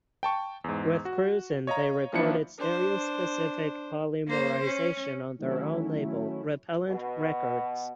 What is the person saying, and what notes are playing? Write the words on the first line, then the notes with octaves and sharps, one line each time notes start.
With Krusen they recorded "Stereo Specific Polymerization" on their own label, Repellent Records.
G5 A5 C#6
E2 G#2
F#4
C#5 D#5 F5 A#5
D#3 F3 A#3 D4 E4 C#7
D4 C5
A#3 C5
C#4
D#3 F#3 A3 C#4 E4
B2